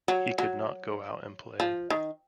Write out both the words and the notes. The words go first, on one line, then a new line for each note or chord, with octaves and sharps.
He could not go out and play.
F#3
F#3
F3
D#3